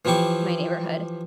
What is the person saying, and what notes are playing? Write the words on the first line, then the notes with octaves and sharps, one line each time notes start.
my neighborhood,
E3 F3 E4 G4 C#6 D6